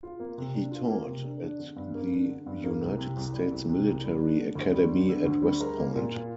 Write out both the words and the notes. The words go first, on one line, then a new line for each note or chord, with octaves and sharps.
He taught at the United States Military Academy at West Point.
F4
A#3
C3
D4
F4
A#3
C3
D4
D4
D3
G2
A#3
D4
D3
G2
A#3
C2
C3
C2
G3
C2
C3
C2
G3
D4
D3
D2
G3
D4
D3
D2
G3
A#4
A#3
A#2
F4